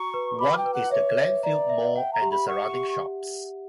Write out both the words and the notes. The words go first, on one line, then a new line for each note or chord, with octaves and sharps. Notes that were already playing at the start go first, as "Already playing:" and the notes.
One is the Glenfield Mall and the surrounding shops.
Already playing: F#4 A#5 C#6
B4
B5 D6
G5
B4
F#5
C#5 E5
E5
D5 A#5
E5
F#5 G5
A#5
G4
B5
F#5 C#6
G4